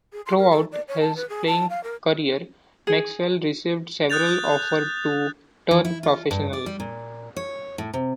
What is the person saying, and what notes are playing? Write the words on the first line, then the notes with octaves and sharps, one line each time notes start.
Throughout his playing career, Maxwell received several offers to turn professional.
G#4
C6
A#4
A4
D5
C#5
A5
B4
G#4
A5
F5
A#4
G#4
D#6 F#6 G6 A6 F7
E3
E4
F4
G2
D5
G3
A#2
C#5
A2
C3